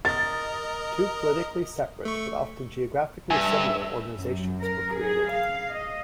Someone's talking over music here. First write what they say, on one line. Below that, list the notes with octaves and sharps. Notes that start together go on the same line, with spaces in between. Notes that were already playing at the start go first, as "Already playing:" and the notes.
Two politically separate but often geographically similar organizations were created.
A#4 D#5 A6
A3 C#6
G2 E5 G#5
F#2
A#4
G#4
F5
D#5